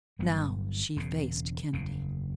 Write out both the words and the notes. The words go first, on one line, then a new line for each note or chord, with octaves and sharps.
Now she faced Kennedy.
G1 G2 F#3 B3
E1 E2 C#3
F#1 E2 C#3